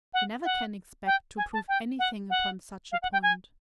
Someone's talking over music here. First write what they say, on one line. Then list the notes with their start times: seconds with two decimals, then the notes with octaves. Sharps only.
We never can expect to prove any thing upon such a point.
0.14 F#5
0.45 F#5
1.06 G5
1.37 G#5
1.53 A5
1.68 G5
1.99 F#5
2.30 F#5
2.92 F5
3.03 F#5
3.13 G5
3.23 G#5